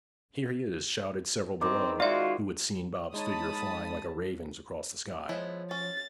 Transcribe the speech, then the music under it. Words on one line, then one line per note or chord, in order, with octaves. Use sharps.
'Here he is!' shouted several below who had seen Bob's figure flying like a raven's across the sky.
D#3 C4 D6
G#3 F4 F#4 D5 E5
G#3 D#4 C#5 A5 B5 D#6
F3 G#3 B3 E4 C#5
C#4 A6